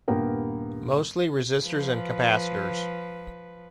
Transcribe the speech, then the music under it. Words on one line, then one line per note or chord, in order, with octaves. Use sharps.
Mostly resistors and capacitors.
D#1 G2 A#3 B3 A#4 G5
F3 B4